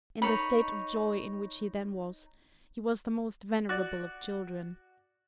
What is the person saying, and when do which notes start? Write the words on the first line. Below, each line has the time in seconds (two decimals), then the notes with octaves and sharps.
In the state of joy in which he then was, he was the most venerable of children.
0.22 D#4 A4 C#5 B5
3.69 F#4 D5